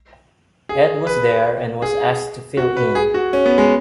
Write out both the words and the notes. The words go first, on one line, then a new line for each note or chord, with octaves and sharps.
Ed was there and was asked to fill in.
G#4
B4
G#4
F#4
B4
G#4
F#4
C#4
B3
G#3